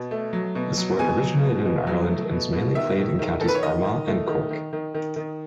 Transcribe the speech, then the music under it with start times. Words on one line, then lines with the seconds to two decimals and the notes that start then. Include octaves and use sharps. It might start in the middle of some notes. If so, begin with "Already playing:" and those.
The sport originated in Ireland and is mainly played in counties Armagh and Cork.
Already playing: B2
0.11 A3
0.33 F#3
0.55 B2
0.77 F#3
0.99 B2 G#5
1.21 F#3
1.43 B2
1.65 B2
1.87 F#3
2.09 A3
2.31 B2
2.53 B2
2.75 D#3 E5
2.97 D#3
3.19 D#3
3.41 D#3 A4
3.48 B4
3.55 C#5
3.63 D#3 D#5
3.84 D#3
4.06 A3
4.29 D#3
4.50 D#3
4.73 D#3
4.94 D#3
5.16 D#3